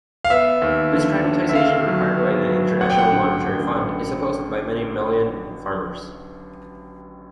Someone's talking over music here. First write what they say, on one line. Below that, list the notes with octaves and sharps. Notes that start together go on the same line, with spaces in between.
This privatization, required by the International Monetary Fund is opposed by many Malian farmers.
F5
B3 E5
D#2
D3
D3
E5
D3 F5
F#3
B3
F#3
A1 F#5
G5
F#5
D3
A1
A1